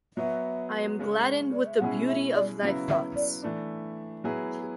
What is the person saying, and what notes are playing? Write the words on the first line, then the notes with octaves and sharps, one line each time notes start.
I am gladdened with the beauty of thy thoughts.
F#3 B3 F#4 E5
C#3 G#3 C#4
D5
E5
B2 G#3 C#4 E4 G#4 F#5
E5
D5
C#3 F#3 B3 E4
E5
D5
E3 A3 D4
F#3 B3 E4 G#4